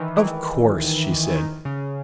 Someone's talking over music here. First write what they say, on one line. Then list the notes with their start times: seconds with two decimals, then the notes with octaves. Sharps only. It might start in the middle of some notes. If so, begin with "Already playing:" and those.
"Of course," she said.
Already playing: D#3 E3
0.16 E3
1.36 D#3
1.65 C#3